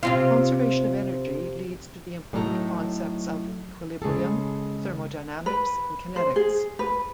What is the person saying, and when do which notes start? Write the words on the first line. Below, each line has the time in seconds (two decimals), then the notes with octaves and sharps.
Conservation of energy leads to the important concepts of equilibrium, thermodynamics, and kinetics.
0.03 C3 C4 F4
2.33 A2 F#3 D#4 A4 A#5
4.02 C#3 G#3 G#4 A4
5.46 B4
6.16 C5
6.36 G#4
6.79 B4